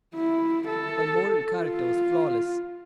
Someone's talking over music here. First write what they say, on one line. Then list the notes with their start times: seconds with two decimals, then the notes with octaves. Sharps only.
My moral character was flawless.
0.15 E4
0.68 A4
1.56 F4